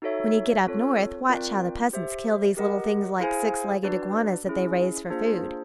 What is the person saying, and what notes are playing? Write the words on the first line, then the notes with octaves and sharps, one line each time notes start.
"When you get up north, watch how the peasants kill these little things like six-legged iguanas that they raise for food."
D#4 F#4 A4 C#5 E5
C4 F4 A4 C#5
C4 F4 A#4 D5 G5
G4 C5 E5
G4 A#4 D#5 F#5
E4 G#4 C5 F5 G#5
D4 F#4 B4 D5
C#4 E4 G#4
A#3 D4 F4 G#4 C5